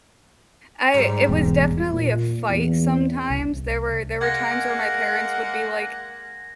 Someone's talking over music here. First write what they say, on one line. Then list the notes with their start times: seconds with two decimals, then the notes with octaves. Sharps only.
I it was definitely a fight sometimes, there were there were times where my parents would be like,
0.94 G#2 G3
1.29 E1
1.91 A#2
2.48 E2
3.30 C2
4.21 G#3 A#3 F#5 G#6 A#6